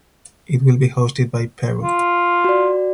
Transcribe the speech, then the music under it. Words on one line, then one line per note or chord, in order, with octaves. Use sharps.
It will be hosted by Peru.
F4
F#4 D5